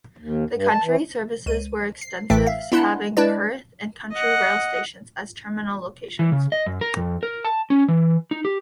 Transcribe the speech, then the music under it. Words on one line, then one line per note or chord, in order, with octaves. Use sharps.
The country services were extensive having Perth and country rail stations as terminal locations.
D#2
G2
A5
E3
C#2 D#7
C7
A1 A2 E3 A3 G5 B6
E5 F5
B3 D4 E4 C6 F#6
G#3 D4 E4 B4 D5
D#5 F#5
E3
C#3
D#5
F#2
A#4
F2
A#4
A5
C#4
E3
D#4
G4